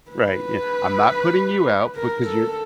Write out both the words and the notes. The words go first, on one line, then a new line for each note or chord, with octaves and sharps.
Right, yeah, "I'm not putting you out because you're"
B4
A#4
A4